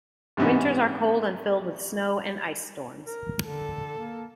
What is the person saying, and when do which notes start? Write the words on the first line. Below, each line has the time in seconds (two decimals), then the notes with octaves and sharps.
Winters are cold and filled with snow and ice storms.
0.37 G#2 C3 E3 B3 C#4 D#4
3.07 A#4
3.45 D3 A4
3.98 A#3